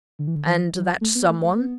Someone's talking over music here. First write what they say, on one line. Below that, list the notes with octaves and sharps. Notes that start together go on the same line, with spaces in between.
"And that someone?"
D3
E3
D3
E3
F#3
A3
B3
A3
A3
B3